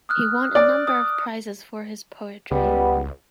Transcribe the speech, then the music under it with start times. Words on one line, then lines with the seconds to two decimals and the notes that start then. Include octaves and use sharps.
He won a number of prizes for his poetry.
0.09 D#6 F6 F#6
0.55 D5
0.87 D#6
2.51 C#2 G3 B3